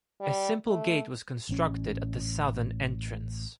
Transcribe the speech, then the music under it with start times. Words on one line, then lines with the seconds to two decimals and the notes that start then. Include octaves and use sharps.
A simple gate was constructed at the southern entrance.
0.21 G3
0.68 A3
1.49 A1 C#4